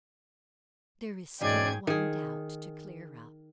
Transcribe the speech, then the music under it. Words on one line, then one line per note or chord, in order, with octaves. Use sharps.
There is still one doubt to clear up.
E1 G#2 C#4 G#4 D5 D#5 G5 G#6
D#3 G#4